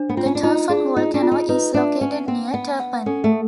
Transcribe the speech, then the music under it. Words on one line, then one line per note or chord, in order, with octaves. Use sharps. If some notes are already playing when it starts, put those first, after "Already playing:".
The Turfan volcano is located near Turpan.
Already playing: D4 C5
B3
C4 F4
C#4
D4
D#4 F4
D4 G#4
D#4 F4
D4
F4
D#4
D#4 B4
D4 E5
C#4 F#5
C4 F#5
B3 F#5
F#5
C#4 A4
A3
A4